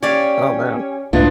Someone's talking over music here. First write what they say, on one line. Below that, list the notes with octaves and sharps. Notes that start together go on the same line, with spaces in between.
Oh man.
C#4 G4 C#5 D5 F5
C#2 A2 B3 D4 E4 F4